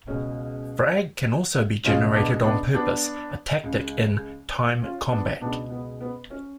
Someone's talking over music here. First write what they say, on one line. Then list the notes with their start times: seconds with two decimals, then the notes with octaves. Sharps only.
Frag can also be generated on purpose, a tactic in "time combat".
0.07 C#2 B2 C#4
1.84 C#2 B2 C#4 F4
2.14 B3 D4
2.44 B3 D4
2.74 B3 D4
3.63 C#2 C#3
4.82 C#4 F4
5.11 B3 D4
5.41 C#2 B2 B3 D4
5.70 B3
6.01 B3
6.30 C#4